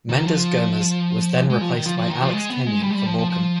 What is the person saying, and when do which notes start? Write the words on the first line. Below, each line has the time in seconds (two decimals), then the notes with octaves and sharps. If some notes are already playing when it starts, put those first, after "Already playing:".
Mendes Gomes was then replaced by Alex Kenyon for Morecambe.
0.09 D#3
0.25 F3
1.50 G#3
1.61 F3
1.73 D#3
1.85 F3
1.97 F3
2.10 D#3
2.22 F3
2.33 G#3
2.50 B3
2.66 G#3
2.82 G3
2.90 G#3
2.94 G3
3.06 F3
3.18 F3
3.30 F3